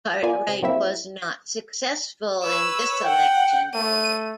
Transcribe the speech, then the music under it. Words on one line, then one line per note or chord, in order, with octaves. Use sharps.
Cartwright was not successful in this election.
A#3 B3 F4 D5 G#5
C3
F#3 A#3 C4 E4 E5
B4 C#5 E6
F#5 G5
A3 D#7